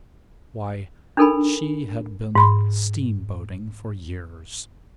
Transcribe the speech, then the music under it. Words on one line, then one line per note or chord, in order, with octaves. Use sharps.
Why, she had been steamboating for years.
D4 D#4 A4 A#4 G#5 B5
G#2 B5 C6